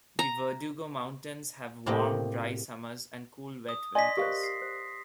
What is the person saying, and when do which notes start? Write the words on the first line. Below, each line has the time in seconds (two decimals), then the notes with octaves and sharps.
The Verdugo Mountains have warm, dry summers and cool wet winters.
0.19 A#5
1.86 A2 C3 A#3 C4 G4 D#5
3.69 D#6
3.95 D4 D5 D#5 G#5 A5 C6 A#6 B6
4.17 G4 A#4 C5 F5
4.44 C7
4.62 C5